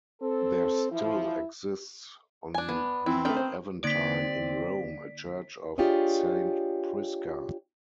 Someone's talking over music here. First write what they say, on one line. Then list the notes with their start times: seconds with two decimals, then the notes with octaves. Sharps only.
There still exists on the Aventine in Rome a church of Saint Prisca.
0.22 C4 A4
0.92 E3 F3 E4
2.54 D4 G#5
2.69 B3
3.06 E3 C4 E4
3.25 D3 D#3 A3 G5
3.37 C5
3.84 D3 A#3 C4 D#4 D5 B6 D7
5.78 D4 F4 G4 G#4 C#5 D#5